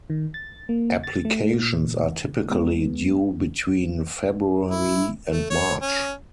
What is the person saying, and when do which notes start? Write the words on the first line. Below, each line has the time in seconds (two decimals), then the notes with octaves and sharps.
Applications are typically due between February and March.
0.10 D#3
0.34 A6
0.69 A#3
1.04 A6
1.25 A3
1.54 A#2
2.50 G#3 B3
4.71 E4
5.31 A3
5.50 C#5
5.81 C#4